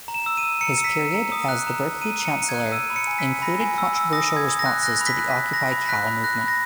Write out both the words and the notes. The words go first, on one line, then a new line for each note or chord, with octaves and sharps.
His period as the Berkeley chancellor included controversial responses to the Occupy Cal movement.
A#5
E7
E6
D#7
E6
A#5 C#7
E6 C#7
B6
A#5
C#7
A#5
D#6
F#6
A#5
A#5
A#5 D#7
A#5
C#7
A#5
G#6
F#6
E6 D#7
B5
C#7
G#5
B6
E6
B5 A#6
G#5
E6
E6
D#6 A#6
D#6
G#6
D#6
A#6
F#6
F#6 A#6
B5
B6
F#6
B6
F#6
B5 A#6
B5
F#6 B6
B5
F#6 A#6
B5
A#6